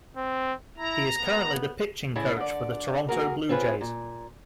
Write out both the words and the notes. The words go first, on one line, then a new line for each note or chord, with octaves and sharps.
He is currently the pitching coach for the Toronto Blue Jays.
C4
E4 A#5
B3
A2 C#3 E4 G#4 A5
D3 D5
A#3 F#4 G#4 A#4
C4 F4 G#4 B4 C#5
A#2